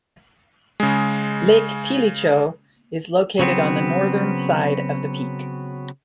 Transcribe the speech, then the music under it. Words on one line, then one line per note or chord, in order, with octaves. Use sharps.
Lake Tilicho is located on the northern side of the peak.
C#3 G#3
C#3 F#3 B3 C4